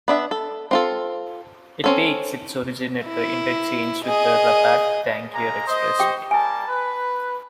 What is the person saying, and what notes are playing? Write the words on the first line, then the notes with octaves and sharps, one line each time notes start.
It takes its origin at the interchange with the Rabat-Tangier expressway.
B3 D4 E5
A4
C4 F4 A4
C4 C#4 A4
E4
G#4 D#5
G#3 A#3 A#5
C5 D#5
G4 G5 D6
G3 A#3 G#5 A5
B4